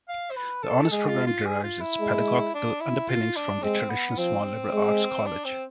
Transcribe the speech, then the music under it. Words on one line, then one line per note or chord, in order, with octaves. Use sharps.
The honors program derives its pedagogical underpinnings from the traditional small liberal arts college.
F5
C5
B4
A4
G#3 G#4
F4
F4
G#4
F4
E4
G#3
D4
E4
F4
D4
G#3 C4
B3
F3 C4
G#3
D4
C4